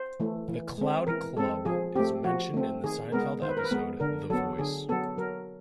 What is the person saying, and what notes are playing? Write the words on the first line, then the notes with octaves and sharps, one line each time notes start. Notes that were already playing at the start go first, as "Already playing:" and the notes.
The Cloud Club is mentioned in the Seinfeld episode The Voice.
Already playing: C5
E3 A3
E3
G#3 C4
E3 A#4
G#3 C4 A4
F3 G#4
A3 C4 G4
F3 F#4
A3 C4
D#3 G#4
G#3 B3 A#4
D#3 C5
B4
A#4
B4
G#3 B3
D3 A#4
F#3 B3 A4
D3 G#4
F#3 B3 A4
F#3 A#4